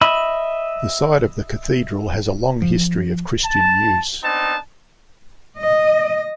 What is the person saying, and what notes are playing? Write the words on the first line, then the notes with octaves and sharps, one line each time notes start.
The site of the cathedral has a long history of Christian use.
D#5 E5 B5
F3
A5
B3 C4 D4 D#4 A5
D#5